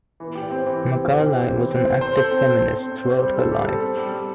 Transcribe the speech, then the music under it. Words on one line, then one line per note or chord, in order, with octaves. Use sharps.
Macaulay was an active feminist throughout her life.
E3
G4
C4
E3
G4
C4
C3
G4
C4
E3
C4
C4
C5
A4
C4
C4
C5
C4
C5
C5
G3
A4
G3
A4
C4
G3
G3